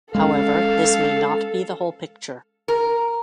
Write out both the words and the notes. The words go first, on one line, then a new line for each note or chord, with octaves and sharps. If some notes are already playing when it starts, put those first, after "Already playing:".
However, this may not be the whole picture.
G#3 C#4 A4 F5
A#4